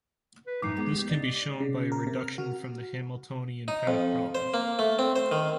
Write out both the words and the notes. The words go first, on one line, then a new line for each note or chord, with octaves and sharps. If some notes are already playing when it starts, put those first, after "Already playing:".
This can be shown by a reduction from the Hamiltonian path problem.
B4
F#2 A2 E3 D#4 D6 C7
G#3 B3
G4
D#4 D5
C#3
A#4
C3
F6
F#4
D#4
F2
C5
A#3
A3
C4
C5
D#3